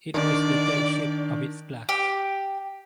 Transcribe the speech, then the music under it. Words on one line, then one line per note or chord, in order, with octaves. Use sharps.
It was the third ship of its class.
D#3 D4 D5
G4